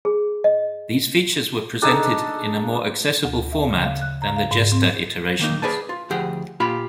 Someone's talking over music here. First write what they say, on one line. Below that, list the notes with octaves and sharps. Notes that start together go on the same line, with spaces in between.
These features were presented in a more accessible format than the Jester iterations.
G#4
D#5
D4 D#4 G#4 A4
D2
E5
C#3
F5
F#6
A#5
F5
G#2
C4
D#3 A#3 D#4
G#4 B4 D5 G#5 A5
F4
D2 F3 G4 G#4 F#5 G5
A#2 F4 G4 B5